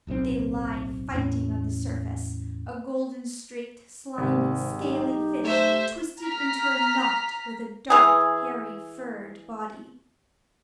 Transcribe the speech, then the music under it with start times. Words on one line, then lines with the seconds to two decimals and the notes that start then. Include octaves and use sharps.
They lie fighting on the surface--a golden-streaked, slimy, scaly fish twisted into a knot with a dark, hairy, furred body!
0.07 D1 B1 A#2 C4
1.12 E2 A2 C#4
4.18 G#1 C3
4.78 B1 D#4 G4
5.44 A3 C5 E5
6.21 A#5 F6 B6
7.90 E3 G#4